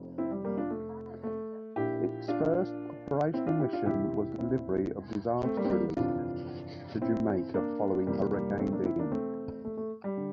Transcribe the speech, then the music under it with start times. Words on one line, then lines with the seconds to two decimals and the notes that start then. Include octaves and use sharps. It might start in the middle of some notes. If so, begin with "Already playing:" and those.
Its first operational mission was delivery of disaster relief to Jamaica following Hurricane Dean.
Already playing: F1 F2 C3
0.18 C4 E4
0.31 G3
0.44 G3 A#3
0.57 D4 F4
0.71 A3
1.23 A3
1.76 A#1 A#2 E4 G4
2.28 D4 F4
3.34 C4 E4
3.47 D4 F4
3.60 E4 G4
3.73 D4 F4
3.86 E1 E2 C3 E4 G4
4.38 C4 E4
5.44 A3 C4
5.57 G3 A#3
5.65 C4
5.70 G3 A#3
5.97 G1 F2 C3 E3 D4 F4
7.02 C4 E4
7.54 A#3 D4
8.07 F1 F2 C3 E3 G3 A#3
8.33 G3 A#3
8.59 A3 C4
8.72 A#3 D4
8.85 C4 E4
8.99 A#3 D4
9.11 A3 C4
9.65 A3
9.77 A3
10.04 G3
10.17 D3